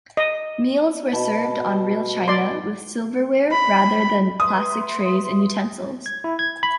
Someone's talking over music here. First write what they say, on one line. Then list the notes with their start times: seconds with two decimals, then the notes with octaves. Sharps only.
Meals were served on real china, with silverware, rather than plastic trays and utensils.
0.17 D#5
1.13 B2 A5
2.28 D5 C6
3.51 B5
4.40 B4 E5 C6 D#6
6.06 G#6
6.24 E4
6.39 G#6
6.63 B5